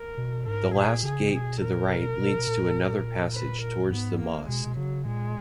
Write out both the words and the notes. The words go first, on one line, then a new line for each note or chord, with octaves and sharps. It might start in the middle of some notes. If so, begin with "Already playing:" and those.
The last gate to the right leads to another passage towards the mosque.
Already playing: A#4
B2
G#2 A#4
A#2 G#4
C#3 G#4
B2 G#4
A#2 A#4
B2
A#2
B2
B2
B2
A#2
B4
A#4
G#2 B3
A#3
B2 G#3
B2
C#3 F#3
A#2 G#3